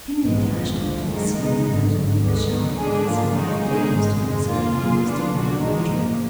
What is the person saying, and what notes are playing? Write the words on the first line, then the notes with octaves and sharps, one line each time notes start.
Kennedy dashed over to the scene where those beneath the shower of glass lay, dazed and uncertain of the extent of their own injuries.
A#1 G#2 D#3 G#3 B3
F2 F3 G#3
D2 D3 F3
F#2 D#3 G#3
B1 B2 G#3 B3 D#4
G#1 F#2 D3
G#1 G#2 F#3
D2 D3 G#3 B3
G#2 D#3 F#3 B3
D3 G#3 D4 G#4
G#2 F3 A#3 F4
F#2 D#3 G#3 D#4 F#4
B2 G#3 D#4 G#4
G#1 G#2 D#3 G#3
F2 D3 G#3
B2 A#3 F4
B2 F#3 A#3 F4 G#4
D3 F#3 B3 D4 F4
B1 B2 F#3 D4 F#4
A#1 G#2 D#3 G#3 D#4
F#2 F3 A#3